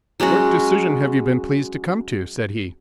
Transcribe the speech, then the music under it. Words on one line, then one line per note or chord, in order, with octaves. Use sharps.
"What decision have you been pleased to come to?" said he.
F#3 G#3 C#4 F#4